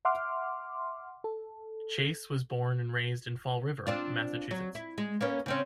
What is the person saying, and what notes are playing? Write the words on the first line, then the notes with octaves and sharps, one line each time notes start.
Chace was born and raised in Fall River, Massachusetts.
E5 F#5 C6 D6 F6
A4
C4 D4 F4
F#3
E4
G#3
A#3 B3 C#4
C#3 C4 C#4